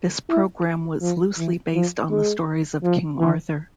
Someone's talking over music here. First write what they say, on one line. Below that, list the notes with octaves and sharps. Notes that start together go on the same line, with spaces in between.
This programme was loosely based on the stories of King Arthur.
E4
F3
E3
F3
G#3
F3
E3